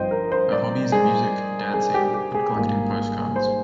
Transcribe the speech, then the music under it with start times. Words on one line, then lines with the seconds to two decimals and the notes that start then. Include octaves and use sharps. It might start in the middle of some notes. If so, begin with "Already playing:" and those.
Her hobbies are music, dancing and collecting postcards.
Already playing: G1 G2 F3 C4 D#4 C5 D#5 G5
0.11 A#4
0.32 C5
0.52 D5
0.92 G#4
1.74 G#4
1.94 G4
2.14 G4
2.35 G#4
2.55 G#1 G#2 G3 A#3 F4
3.36 C5